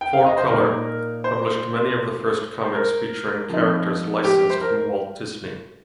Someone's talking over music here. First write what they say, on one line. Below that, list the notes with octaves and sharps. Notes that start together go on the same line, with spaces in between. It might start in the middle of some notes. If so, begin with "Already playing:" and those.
"Four Color" published many of the first comics featuring characters licensed from Walt Disney.
G5
F5
D#5
C5
A#2 A#3 D#4 A#4
C5
C5
A#4
F3 C4 D#4
G4
C5
A#4